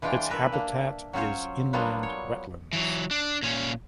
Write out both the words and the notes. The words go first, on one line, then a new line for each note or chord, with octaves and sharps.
Its habitat is inland wetlands.
E3 G#3 D4 F4 G5
A#4 B4 E5
A#3 D4
F#3 C#4 F4 C5 C#5
F#3 G3 A#3 B3 D4 F4
C#5
E3 F#3
D4
A#2 C#4